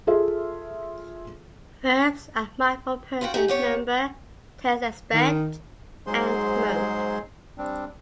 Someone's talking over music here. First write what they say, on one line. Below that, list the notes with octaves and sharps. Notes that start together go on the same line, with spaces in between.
Verbs are marked for person, number, tense-aspect, and mode.
F4 G#4 A4 E5
F4 F#4 G5
D#4 G4 G#4
B3 G4 C#5
D#3
G#2 F#3 G#3 G#4 C5 C6
G3 C4 D4